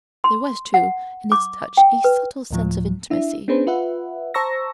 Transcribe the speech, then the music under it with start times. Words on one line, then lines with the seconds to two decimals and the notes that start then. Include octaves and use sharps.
There was, too, in its touch a subtle sense of intimacy.
0.24 C6
0.74 F#5
1.32 D6
1.77 G5
2.04 B4
2.51 D2 A2 F3
3.10 D4 E4 E5
3.48 B3 C#4 D4 G#4 B4 C5
3.67 F4 B4 E5 F#5
4.34 C5 A5 A#5 C#6 E6 A#6